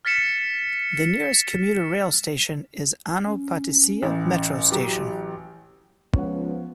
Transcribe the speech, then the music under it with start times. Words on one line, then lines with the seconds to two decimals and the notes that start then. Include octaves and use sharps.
The nearest commuter rail station is Ano Patisia metro station.
0.05 F6 A6 B6 C#7 E7
3.25 C#4
4.02 A1
4.71 F#3 G4 A#5
6.15 C#2 F3 B3 C#5 F#5